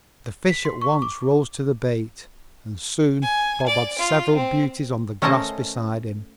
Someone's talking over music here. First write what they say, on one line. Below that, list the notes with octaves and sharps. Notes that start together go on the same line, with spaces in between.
The fish at once rose to the bait, and soon Bob had several beauties on the grass beside him.
B6
C6
C#6
D6
G#5
D5
F4
C4
A3 C#4 A#4 C5 D#5 A5